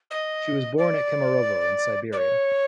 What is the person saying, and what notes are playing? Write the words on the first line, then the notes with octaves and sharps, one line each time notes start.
She was born at Kemerovo, in Siberia.
D#5
D5
D5
C#5